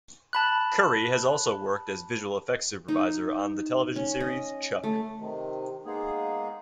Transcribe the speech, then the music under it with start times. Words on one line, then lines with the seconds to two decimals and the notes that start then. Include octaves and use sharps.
Curry has also worked as visual effects supervisor on the television series "Chuck".
0.33 A5 B5 F#6
2.88 D#4
3.96 C#4
4.20 D#5
4.84 A3
5.19 C3 D#3
5.85 G#3 A#3 B3 D#4 G#4